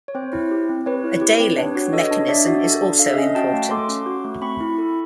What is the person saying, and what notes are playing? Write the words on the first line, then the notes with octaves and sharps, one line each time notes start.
A day-length mechanism is also important.
C#5
C4 C5
E4
G4
C4
C4 B4 C#5
E4
G4
C4
D4 B4 C#5
F#4
A4 C#5 D#5
D4
D4 D5 E5
F#4
A4
D4
A4 F5
E5
C#4 D#5 F5
F#4 G5 A5
A3
A4 C6 D6
C#4
F#4
A3
C4 B5 C#6
E4
A4